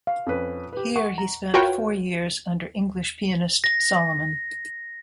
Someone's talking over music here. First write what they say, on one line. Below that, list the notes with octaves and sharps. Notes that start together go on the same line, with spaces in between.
Here he spent four years under English pianist, Solomon.
F5
F2 C#4 B4
G4 B4
F#5 C#6
A#5
F4 F#4 A#4 B4 C#5 G5
A#6